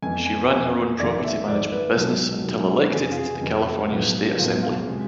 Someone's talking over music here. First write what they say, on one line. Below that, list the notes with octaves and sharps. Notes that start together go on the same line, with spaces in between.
She ran her own property management business until elected to the California State Assembly.
F2 E3 B3 G#5
G#5
F2 E3 B3 G#5
G#1 G#2 F3 A3 D5
E5
G#1 G#2 F3 A3 D5
B4
B1 B2 G#3 A4
B1 B2 G#3
F2 C3 E3 G#4
F4
G#4
F2 C3 E3
B1 A2 F3 B3
B1 A2 F3 B3 F4
F4
C3 G#3